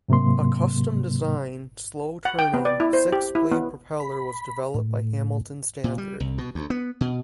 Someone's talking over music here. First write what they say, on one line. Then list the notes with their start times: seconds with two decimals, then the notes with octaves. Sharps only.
A custom-designed, slow-turning, six-blade propeller was developed by Hamilton Standard.
0.09 G#2 C3 F#3 A#3 C6
2.25 F#5
2.39 G5
2.54 B3
2.65 D5
2.80 E4
2.93 C5
3.12 G4
3.35 E4
3.52 B3
4.00 B5
4.74 A2
5.84 A#2
5.98 G3
6.20 C2
6.38 B2
6.55 D2
6.70 B3
7.01 B2